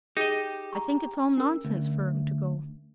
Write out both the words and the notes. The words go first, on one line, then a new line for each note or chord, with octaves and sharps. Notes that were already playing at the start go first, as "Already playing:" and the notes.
I think it's all nonsense for 'em to go.
D#4 G4 G#4 D#5
A#5 C#6
C#4 A#4
D2